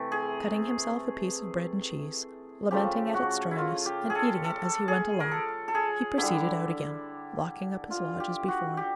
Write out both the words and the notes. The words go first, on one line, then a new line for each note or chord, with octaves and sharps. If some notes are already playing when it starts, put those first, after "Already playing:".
Cutting himself a piece of bread and cheese, lamenting at its dryness, and eating it as he went along, he proceeded out again, locking up his lodge as before.
Already playing: C3 E3 A3
G#4
C#3 F3 A3 G4
F#4
E4
F4
G4
G#4
A4
A4
G#4
A#4
A4
A4
G#4
D3 G3 E4
F4
G4
F#4
G4